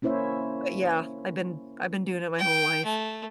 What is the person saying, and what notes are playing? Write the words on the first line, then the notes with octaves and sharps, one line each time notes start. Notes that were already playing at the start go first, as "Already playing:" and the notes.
but, yeah, I've been I've been doing it my whole life.
A#3 C#4 E4 C5 C#5 E5
G5
A3